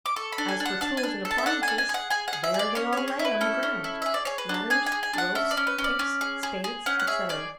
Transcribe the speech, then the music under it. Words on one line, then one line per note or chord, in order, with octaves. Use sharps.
As for tools and appliances, there they all lay on the ground--ladders, ropes, picks, spades, etc.
D6
A4 C#6
B5
D4
G#5
D4
F#5
D4 A5
G#5
D4
A4
A5
E5
D4 F#5
D4 G#5
G#5
G#4
F#5
G#4 G#5
F#5
G#4
E5
G#4
D5
C#4 C#5
G#4 C#5
C#5
E4
B4
C#4 A4
C#4
E4
G#4 E5
D5
G#4 C#5
B4
D4 A5
G#4 G#5
G#5
G#4
G#5
D4 F#5
C#4 E5
D5
C#4
B4
C#4
D5
C#4
G#4
G#4
G#4
C#4 F#5
F#5
G#4 E5
G#4 D5